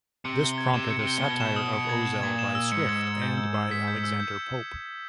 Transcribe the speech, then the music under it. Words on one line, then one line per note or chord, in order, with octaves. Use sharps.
This prompted a satire of Ozell by Swift and by Alexander Pope.
C3 C#7
G7
G#6
C3 E7
C#7
C3
G7
A#2
B2 G#6
E7
D#6
C#7
G#6
E7
A#2 G#6
E7
E6
G#2 C#7
G#6
E7
G6
E6
E6
B6
G6
E6
G6